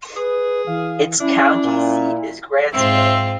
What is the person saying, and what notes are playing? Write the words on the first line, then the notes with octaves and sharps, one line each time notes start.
Its county seat is Grantsville.
G#4 B4
E3 F5
C#4 D4 E4
A#2
G#2 C4 F4 E5